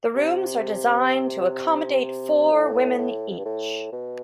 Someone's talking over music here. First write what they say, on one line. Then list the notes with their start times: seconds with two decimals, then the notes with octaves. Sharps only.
The rooms are designed to accommodate four women each.
0.15 C3
2.52 A2
2.99 A2
3.30 F2
3.38 G2
3.45 A2
3.92 B2